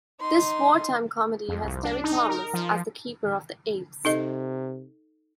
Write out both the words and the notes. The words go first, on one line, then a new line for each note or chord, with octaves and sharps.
This wartime comedy has Terry-Thomas as the keeper of the apes.
D#4 C6
F2
C2
D4
D#4
A#4
F3
C3 D#4 A4 D#5